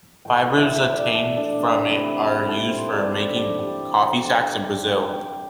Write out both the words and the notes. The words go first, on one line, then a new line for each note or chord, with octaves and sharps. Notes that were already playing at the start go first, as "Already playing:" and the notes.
Fibres obtained from it are used for making coffee sacks in Brazil.
A2 E3 A3 G5
E5
E5
E5
D5
A4
D4
C3 A3 C4
E4
E4
A4
C5
G2 E3 C4 D5
A4
G4
G4
D3 C4
G5